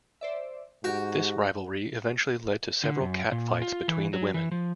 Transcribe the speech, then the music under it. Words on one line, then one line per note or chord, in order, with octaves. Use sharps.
This rivalry eventually led to several catfights between the women.
C5 D5 E5
G#2 F#4 G4
D3
F#2
A#2
F4
E3
F#3
E3
F3